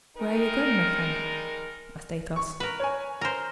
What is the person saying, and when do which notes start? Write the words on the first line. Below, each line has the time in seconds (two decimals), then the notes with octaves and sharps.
"Where are you going, my friend?" asked Athos.
0.16 G3 G#3 D#4 A#4
2.36 C#6
2.60 A#4 B4
2.80 C#5 G#5
3.21 A#4 C5